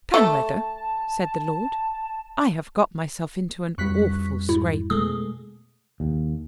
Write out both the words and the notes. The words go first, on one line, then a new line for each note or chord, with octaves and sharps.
"Penwether," said the Lord, "I have got myself into an awful scrape."
A3 A5
F2 G3 C#6 F#6 B6
G#2 E4
B2 G#3 A3 D#6
D#2